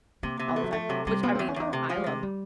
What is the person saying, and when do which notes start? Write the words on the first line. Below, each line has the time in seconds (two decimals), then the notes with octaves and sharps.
all the time," which, I mean, I love
0.23 C3 A#3
0.39 C3
0.48 B3
0.56 A3
0.63 F#3
0.73 F3 A3
0.89 C3 F#3
1.06 C3 G3
1.23 F3 B3
1.35 E2 C4
1.48 C#4
1.56 E2 D#4
1.73 C3 A3
1.89 F3
1.97 G#3
2.06 C3
2.23 G3